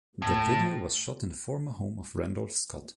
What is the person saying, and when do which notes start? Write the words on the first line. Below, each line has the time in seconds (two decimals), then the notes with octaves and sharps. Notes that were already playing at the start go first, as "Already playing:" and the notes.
The video was shot in the former home of Randolph Scott.
0.22 A2